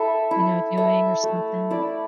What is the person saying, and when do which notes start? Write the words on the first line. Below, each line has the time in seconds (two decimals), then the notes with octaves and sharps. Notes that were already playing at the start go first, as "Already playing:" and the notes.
you know, "doing?" or something.
Already playing: E4 A4 E5
0.31 E4
0.77 A4 E5
1.23 A3
1.70 E4 D5